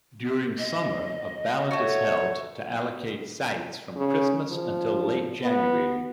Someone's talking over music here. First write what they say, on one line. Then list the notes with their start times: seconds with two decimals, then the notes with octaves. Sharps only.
During summer a ballot is held to allocate sites from Christmas until late January.
0.58 D#5
1.71 A3 F#4 C#5
3.96 C#3
4.49 F3
5.43 B3